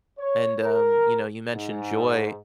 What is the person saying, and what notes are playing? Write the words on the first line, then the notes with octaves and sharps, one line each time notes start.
And, um, you know you mentioned joy
C#5
A#4
G#2